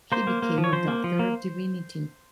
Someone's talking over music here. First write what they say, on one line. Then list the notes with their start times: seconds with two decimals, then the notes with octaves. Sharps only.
He became a Doctor of Divinity.
0.12 A#3 C5
0.27 A#3
0.42 A#3
0.58 F3
0.64 C#5
0.73 F3 C5
0.88 A#3
1.04 F3
1.19 A#3